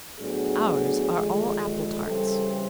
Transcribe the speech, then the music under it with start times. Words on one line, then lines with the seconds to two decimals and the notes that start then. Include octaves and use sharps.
Ours are all apple-tarts.
0.18 A2 F#3 B3 D4 G#4
1.11 D#2 D3 F3 G#3
2.05 C#3 E3 G3 C4 A4